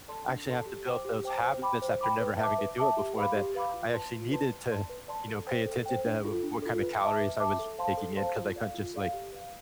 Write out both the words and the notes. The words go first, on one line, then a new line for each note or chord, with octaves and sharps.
actually have to build those habits after never having to do it before that I actually needed to, you know, pay attention to, uh, what kinda calories I was taking in, 'cause I couldn't just, like,
A4 D5 A5 C6
D4
A4 D5 A5 C6
G4
C5 G5 D6
G4
C5 G5 D6
C5
G5 B5 D6
C5
G5 B5 D6
B4
E5 A5 D6
B4
E5 A5 D6
G4
B4 F5 B5 D6
G4
B4 F5 B5 D6
F4
B4 D5 A5 C6
F4
B4 D5 A5 C6
B4
D5 A5 C6
B4
D5 A5 C6
A4
C5 G5
A4
C5 G5
D4
F4 A4
D4
F4 A4
B4
E5 A5 D6
B4
E5 A5 D6
A4
C5 F5 A5 C6
A4
C5 F5 A5 C6
F4
A4 D5 F5
F4
A4 D5 F5
G4
B4 F5